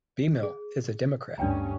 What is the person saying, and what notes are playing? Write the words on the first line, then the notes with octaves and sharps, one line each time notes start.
Beimel is a Democrat.
G#4
D2 G2 C#4 D4 G5 A#5